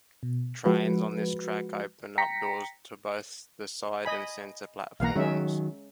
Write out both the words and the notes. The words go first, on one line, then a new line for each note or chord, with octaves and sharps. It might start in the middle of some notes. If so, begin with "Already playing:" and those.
Trains on this track open up doors to both the side and center platforms.
B2
F3 G#3 F#4 B4
G5 A#5 A#6 B6 C#7
D#5 G#5 B5
B1 E3 A#3 F5 F#5 A#5
D#3 F#3 G#3 C#4 E5